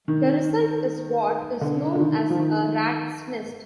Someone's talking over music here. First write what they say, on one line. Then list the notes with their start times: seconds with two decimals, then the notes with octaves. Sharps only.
The result is what is known as a rat's nest.
0.08 D#3
1.61 D3
1.95 D3
2.00 D#3
2.30 F3
2.38 D#3